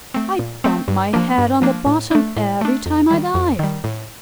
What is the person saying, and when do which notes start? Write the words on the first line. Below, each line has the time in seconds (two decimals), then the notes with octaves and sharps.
"I bump my head on the bottom every time I dive."
0.14 A3 C4
0.39 A#2
0.64 A3 C4
0.88 G2
1.13 F3 A#3 D4
1.38 G2
1.62 F3 A#3 D4
1.86 A2
2.11 A3 D4
2.37 A2
2.61 A3 D4
2.86 F2
3.11 D#3 G3
3.34 F2
3.59 D#3 G3
3.84 A2